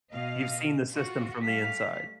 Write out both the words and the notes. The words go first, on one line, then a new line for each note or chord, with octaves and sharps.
You've seen the system from the inside.
B2 D#5 F5
F4 F#4
G3 A3 F5 B6